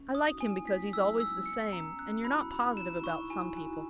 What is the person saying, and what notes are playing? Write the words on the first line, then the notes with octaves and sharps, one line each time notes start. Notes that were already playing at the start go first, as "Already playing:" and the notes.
I like him because he's always the same, and you're not positive about some people.
Already playing: C#4
D#4
D#6
D#4 F#4
G#5
E4
A#3
G#3 B6
F#3 E6
G#3 E6
B3 C#7
C#4 A#5
C#4 F#6
F#4
E4 B5
D#4 F#4 B5
E4 E7
E4
D#4 C#6
E4
D#4 F#4 G#5
D#4 F#4 G#5